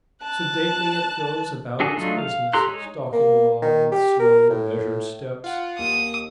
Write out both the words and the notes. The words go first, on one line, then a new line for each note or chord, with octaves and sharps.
Sedately it goes about its business, stalking along with slow, measured steps.
A5 F#6
D4 F#4 G#4 A4
F#3 A3 D4 D#4 F4
F5
G4 A4 A#5 C6 F#6
G#3 D#4 C#5
A#3
D#3
G4
A#4
A2
F4 F#5
D#2 D#6